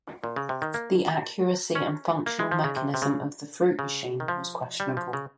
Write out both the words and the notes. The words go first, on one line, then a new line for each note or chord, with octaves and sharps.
The accuracy and functional mechanism of the "fruit machine" was questionable.
A#2
C#3
C3
D#3
A#3
C#4
A#3
G#3
F3
C#3
C3
C3
C#3
C#3
D#3
F3
G3
F3
C#3